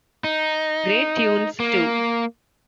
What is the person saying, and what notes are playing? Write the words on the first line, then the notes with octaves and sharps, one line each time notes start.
Great tunes too.
D#4
A#3